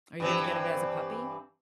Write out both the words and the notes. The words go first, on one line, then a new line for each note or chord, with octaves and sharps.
are you gonna get it as a puppy?
G2 E3 C4